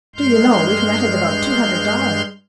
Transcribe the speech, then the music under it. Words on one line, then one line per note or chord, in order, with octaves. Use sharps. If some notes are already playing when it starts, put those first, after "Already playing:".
Do you know, we've netted about two hundred dollars.
G2 G#3 C6 F6 G6